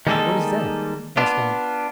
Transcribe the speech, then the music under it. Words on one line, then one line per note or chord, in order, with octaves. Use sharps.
"What is that?" asked Andrea.
D#3 G3 G#3 A#3 D#4 A4
B3 D4 F4